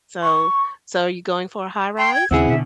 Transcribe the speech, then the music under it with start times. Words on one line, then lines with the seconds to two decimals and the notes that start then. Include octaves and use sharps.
so so you going for a high-rise?
0.22 C#6
1.98 G5 C6
2.14 G#6
2.31 D#2 C#3 C4 E4 G#4 F#5 E6
2.48 B2 D3 E5